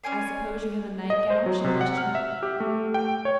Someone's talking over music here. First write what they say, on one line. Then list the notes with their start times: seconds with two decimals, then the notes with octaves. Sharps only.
"I suppose you have a nightgown?" she questioned.
0.04 C#4 D5 G#5 C6
1.10 D#5
1.30 C5
1.46 F#3
1.64 C3
1.81 F#5
1.98 F6
2.15 E5
2.43 G4
2.60 A3
2.94 G5
3.25 C#5